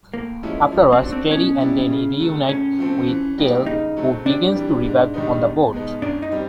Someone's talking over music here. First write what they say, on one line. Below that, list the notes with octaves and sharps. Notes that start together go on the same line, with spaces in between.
Afterwards, Terri and Danny reunite with Cale, who begins to revive on the boat.
A2 A#3
F3 G#3 C#4 E4
F3
C4
A3 D4 F#4
C4
B2 C#4
G3 B3 E4
C#3
F#3 A3
A2 C#4
F3 A3 C4
E3
G3 A#3 D#4 G4
C#3 D#4
F#3 A3 C4
C3 D4
E3 G3
G#2
D#3 G3 B3 D#4
E2
B2 G#3 B3 D#4
F#2 D4
D#4
G3 C4